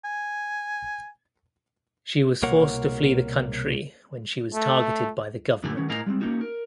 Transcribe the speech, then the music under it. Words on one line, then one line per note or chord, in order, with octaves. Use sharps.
She was forced to flee the country when she was targeted by the government.
G#5
C2 B2 A#3 A#4 C#5 F#5
A3
F#2 D3 A3 B3 G4 G#5
D#3 B3 C#4
A2 A#4 D#5 F5 G#5 A#5
G3 G#3 B3 C4
A#3 C#4 D#4 F#4
A#4